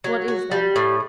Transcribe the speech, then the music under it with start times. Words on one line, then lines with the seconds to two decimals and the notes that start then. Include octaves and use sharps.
What is there?
0.04 F#3
0.28 F#4
0.52 G3
0.76 A2